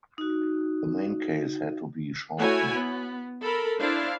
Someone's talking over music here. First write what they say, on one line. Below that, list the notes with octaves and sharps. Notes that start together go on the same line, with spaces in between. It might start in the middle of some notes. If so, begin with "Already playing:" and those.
The main case had to be shortened.
D#4 F#4
A3 E4 F#4 C#5 G#5
B3
A4 A#4 B5
D4 E4 C5 F5